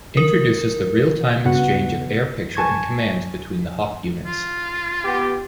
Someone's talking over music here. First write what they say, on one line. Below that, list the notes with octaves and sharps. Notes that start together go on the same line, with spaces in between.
Introduces the real-time exchange of air picture and commands between the Hawk units.
A#4
G2 C#3 B3 F#4 F#5
G#5 A5 C#6 G#6
F4
B3 G4